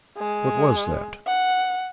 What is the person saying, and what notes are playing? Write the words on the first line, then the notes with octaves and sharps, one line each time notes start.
What was that?
G#3
F#5